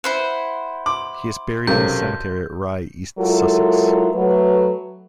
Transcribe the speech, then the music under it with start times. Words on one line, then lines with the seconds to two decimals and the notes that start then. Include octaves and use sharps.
He is buried in the cemetery at Rye, East Sussex.
0.04 E4 C5 F#5
0.86 C6 D6
1.67 B1 F#2 C3 A4 A#4 F5 G6
3.18 F#3 G#3 E4 F4 A4 A#4
4.13 F#3 A3 B4